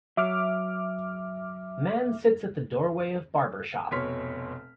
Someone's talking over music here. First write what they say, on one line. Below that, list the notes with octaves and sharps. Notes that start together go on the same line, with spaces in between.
Man sits at the doorway of barber shop.
F#3 E5 D6 F6
F1 B2 C#5 C6 F6 B6